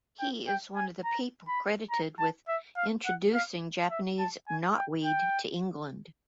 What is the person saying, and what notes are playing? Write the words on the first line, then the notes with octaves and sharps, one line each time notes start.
He is one of the people credited with introducing Japanese knotweed to England.
G5
G5
G#5
A#5
B5
A#5
A5
E5
F5
F#5
F5
E5
A5
G#5
G5
G5